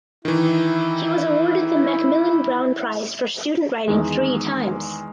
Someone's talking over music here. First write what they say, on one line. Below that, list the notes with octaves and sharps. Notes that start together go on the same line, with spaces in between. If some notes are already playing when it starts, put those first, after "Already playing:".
He was awarded the Macmillan Brown Prize for student writing three times.
D#3 E3 E4
E2 D#3 G#3